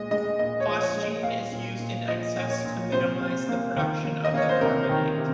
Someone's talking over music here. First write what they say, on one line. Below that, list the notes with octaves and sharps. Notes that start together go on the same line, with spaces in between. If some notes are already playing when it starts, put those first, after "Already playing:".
Phosgene is used in excess to minimise the production of the carbonate.
Already playing: A#2 G#3 D#5
G#3 D#5
A#2 D#5
C#5
F3
C#5
G#3
D#5
A#2 F5
A#2
A#2
F3 D#5
A#2
C#5
A#2
C3 C5
C3
A#3
D#3
A#3
D#5
A#3 C#5
C5
C3 A#4
D#3
C3